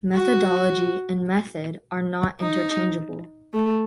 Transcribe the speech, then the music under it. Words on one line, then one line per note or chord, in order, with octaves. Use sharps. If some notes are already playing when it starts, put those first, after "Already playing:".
"Methodology" and "method" are not interchangeable.
F#4
D#4
A3